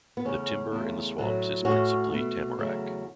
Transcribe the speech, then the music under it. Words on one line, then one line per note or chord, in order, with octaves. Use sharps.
The Timber in the Swamps is principally Tamarac.
B3
E2 C#3 A3 C#4
E2 C#3 A3
A2 F#3 A3
A2 A3 C#4 F#4
B2 A3
E2 C#3 F#3 A3